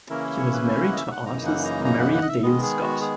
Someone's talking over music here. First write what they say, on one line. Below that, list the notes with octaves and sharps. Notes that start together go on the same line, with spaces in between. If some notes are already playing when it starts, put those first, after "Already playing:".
He was married to artist Marian Dale Scott.
C#3 E3 A#3 C#4 E4 A#4
C#5
B4
G#5
F#5
D#5
E5
F#5
F#2 C#3 E3 A#3 D#4 A#5
F#5
A#5
A#5
F#5
F#5
D#5
E5
D#3 G#3 B3 D#5
G#4
F#4
G#4